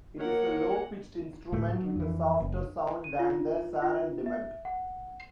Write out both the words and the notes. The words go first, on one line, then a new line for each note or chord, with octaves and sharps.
It is a low-pitched instrument with a softer sound than the saron demung.
D#3 A#3 A#4 C#5 F#5
D1 A2 A3
F#3
F2 E3
F#1
D#7
F4
F4
E5
F#5